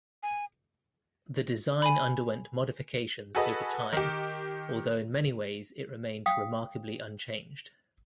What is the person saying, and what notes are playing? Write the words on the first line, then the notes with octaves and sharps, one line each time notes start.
The design underwent modifications over time, although in many ways it remained remarkably unchanged.
G#5
G#5 B5
F#4 G#4 A4 B4 D#5
D#3 G4
F5 G5 D#6